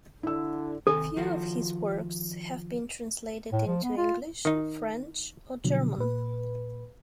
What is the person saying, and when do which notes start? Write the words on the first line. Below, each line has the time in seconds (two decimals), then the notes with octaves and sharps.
Few of his works have been translated into English, French or German.
0.23 D3 E4 E6
0.87 C3 D#3 A4 G#5
1.16 D#3 F3 F#4
3.52 A2
3.67 F3
3.83 B3
3.97 F4
4.45 D#3 D#4
5.64 B2 D3 F3 F#3
5.98 A#2 B4